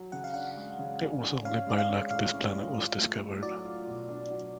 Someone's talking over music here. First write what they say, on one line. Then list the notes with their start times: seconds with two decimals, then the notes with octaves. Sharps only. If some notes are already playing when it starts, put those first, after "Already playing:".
It was only by luck this planet was discovered.
Already playing: F#3
0.12 C#3 F#5
0.24 F5
0.34 D4 F#5
0.57 G#3
0.79 C#3
1.01 C#3
1.22 D4
1.45 C#4 F5
1.67 G#3 D5
1.78 F5
1.89 C#4
2.10 A2 F5
2.33 C#4
2.55 G#3
2.77 F4
2.99 A3
3.21 A3
3.43 F#3 D5
3.65 F4
3.87 B2
4.09 D4
4.31 F#3